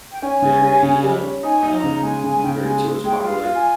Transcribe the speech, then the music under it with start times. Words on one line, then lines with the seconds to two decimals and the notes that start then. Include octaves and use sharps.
very, uh uh, v very tourist popular,
0.12 G5
0.22 C#4 G#5
0.42 C#3
0.62 C#4
0.83 C#3
1.03 G3
1.23 C#4
1.43 D#4 G#5
1.63 D#4
1.73 A#5
1.84 C#3
2.04 G#3 G#5
2.24 C#3 G#5
2.44 C#3 G5
2.64 G#3 G#5
2.84 G#3
3.04 G#3 G5
3.24 F4 F5
3.44 F4
3.55 G#5